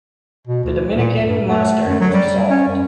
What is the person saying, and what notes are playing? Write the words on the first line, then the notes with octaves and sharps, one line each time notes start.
The Dominican monastery was dissolved.
B2
D2
A#2
G2
A3
F#2
F#3
G3
C#4
F#2